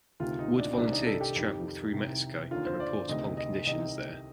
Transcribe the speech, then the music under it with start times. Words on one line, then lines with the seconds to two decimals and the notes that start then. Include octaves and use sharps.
Wood volunteered to travel through Mexico and report upon conditions there.
0.20 D2 C3 D#3 F4
0.39 D#4
0.58 D4
0.73 C4
0.77 C2 C3 D#3 D4
0.92 D#4
1.06 A4
1.21 G4
1.36 F2 D#3
1.93 C2 C3 D#3
2.51 D#2 D3 F4
2.66 C5
2.80 D5
3.09 D2 C3 D#3 D#5
3.37 D#5
3.67 C2 C3 D#3 D#5